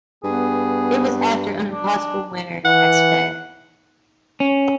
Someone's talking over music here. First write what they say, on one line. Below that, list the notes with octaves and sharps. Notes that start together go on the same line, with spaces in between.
It was after an impossible winter at Ste.
G2 B3 G#4
D4
E3 F#5
C#4